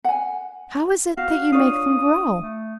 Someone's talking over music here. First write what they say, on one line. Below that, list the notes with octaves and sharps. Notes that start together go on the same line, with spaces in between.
"How is it that you make them grow?"
F#5 G#5
F#4 F5
D4 F4 C#5 D#6
A3